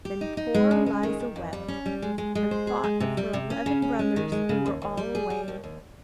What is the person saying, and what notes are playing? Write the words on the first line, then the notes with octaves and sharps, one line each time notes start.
Then poor Eliza wept, and thought of her eleven brothers who were all away.
G4
D#4
D#4
G#3
C#3
G#3
D#3
D#3
F2
G3
C#4
G3
G#3
G#3
G#3
C5
G#4
G#3
C3
G3
C3
C#4
C#3
C#4
G#3
D#3
G#3
C#3
D#2
D#2
G3
G#4
G3
D#2
D#2